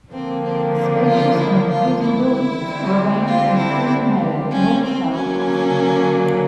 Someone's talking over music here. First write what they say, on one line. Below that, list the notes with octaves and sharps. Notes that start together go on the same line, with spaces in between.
The spacious and imposing buildings are arranged in three main northsouth axes.
D3 F3 A#3 C4
C4
C4
F4
E4
F4
E4
D3 G3 C4
F4
E4
C#4
C4
D3 F#3 A#3 C#4